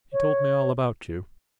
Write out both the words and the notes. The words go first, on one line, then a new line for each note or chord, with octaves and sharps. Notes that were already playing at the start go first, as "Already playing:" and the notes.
He told me all about you....
C#5